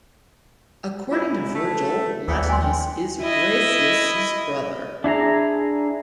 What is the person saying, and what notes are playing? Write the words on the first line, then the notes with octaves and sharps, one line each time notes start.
According to Virgil, Latinus is Graecus's brother.
G#2 E4 F4
A3
D#2 E3 B3 D5
G5 G#5 C6
E4 D#5
D4 E4 G#4 A#5